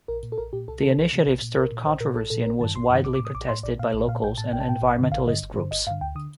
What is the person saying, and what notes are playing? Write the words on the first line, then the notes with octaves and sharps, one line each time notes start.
The initiative stirred controversy and was widely protested by locals and environmentalist groups.
A#1 A#4
A#2
A4
A#1 A#4
A#2 G4
C2 A4
C3 D#3 A4
C2
C3 D#3
A#1
A#2
A#1 A#4
A#2
A#1 C5
A#2 A#4
A#1 A4
A#2 A4
A1 A#4
G2 D#3 A5
A1 C6
G2 D#3
A#1 D6
D6
A2
D#6
A#1 D6
A2 C6
A#1 D5
A#2 F5
A#1
A#2 F5
A#1 G5
A2 A5
A#1 G5
A5
A2 G5
A1
G2 D3
A1 F5
G2 D3 D#5
G1
G2 D3 C5
G1 D#5
G2 D3 F5
D2 G5
D3 D#6